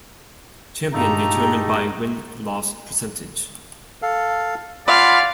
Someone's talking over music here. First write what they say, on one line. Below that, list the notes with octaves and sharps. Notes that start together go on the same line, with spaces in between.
Champion determined by win-loss percentage.
G2 A#2 A3 D#4 G4 G#4 A#5 B5
A4 F5
F4 D5 F5 F#5 G#5 B5